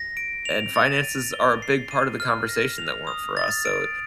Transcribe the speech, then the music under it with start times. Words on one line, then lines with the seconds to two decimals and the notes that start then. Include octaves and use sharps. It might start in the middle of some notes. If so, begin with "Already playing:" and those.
and finances are a big part of the conversation that weren't for us, so,
Already playing: A#6
0.17 D7
0.45 F7
0.75 A6
1.04 D#7
1.33 G7
1.62 C7
1.91 D#7
2.20 F6
2.49 A#6
2.78 F7
3.07 D#6
3.37 A6
3.65 D7